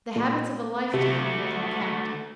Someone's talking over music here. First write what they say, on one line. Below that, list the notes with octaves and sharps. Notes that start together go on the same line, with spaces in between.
The habits of a lifetime held him captive.
A#2
C3 A3 F#4